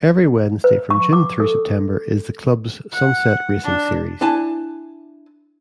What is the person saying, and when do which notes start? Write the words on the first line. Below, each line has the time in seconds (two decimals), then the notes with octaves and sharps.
Every Wednesday from June through September is the club's Sunset Racing Series.
0.64 B4
0.90 C#6
1.13 D6
1.40 A4
2.93 F#5
3.64 D4
4.21 D4 E4 G#5 A5